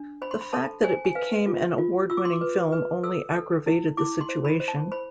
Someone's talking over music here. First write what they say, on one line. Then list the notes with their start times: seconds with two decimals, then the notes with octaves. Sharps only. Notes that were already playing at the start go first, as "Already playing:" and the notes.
The fact that it became an award-winning film only aggravated the situation.
Already playing: D4
0.22 C5 B5
0.31 C6
0.41 B5
0.53 A4 A5
0.84 C5 G#5
1.05 G#5
1.15 B4 F5
1.47 F4
1.78 F4
2.10 F4 E6
2.17 D6
2.25 C6
2.33 D6
2.41 B4
2.72 B4
3.03 A4 E6
3.35 A4
3.66 E4
3.97 E4 D6
4.21 C6
4.29 C5
4.45 B5
4.60 C5
4.68 A5
4.92 C5 B5